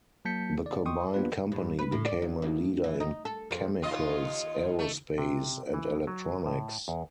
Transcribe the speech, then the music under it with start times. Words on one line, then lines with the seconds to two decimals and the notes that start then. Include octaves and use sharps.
The combined company became a leader in chemicals, aerospace, and electronics.
0.25 F#3 A#3 A5 G6 B6 C#7
0.66 D5
0.85 D#5 G5 C6 C#6 D#6
1.14 A#3 B3 D4 F4 G4 B4
1.52 G2
1.79 B4
1.92 A2
2.06 D5
2.22 D#2
2.42 D2
2.84 E3
3.00 D#4
3.25 A4
3.51 F2
3.82 D#2 F4 D#5
4.79 A3
5.18 C3
5.74 E3
6.07 F#3
6.46 A2
6.88 E2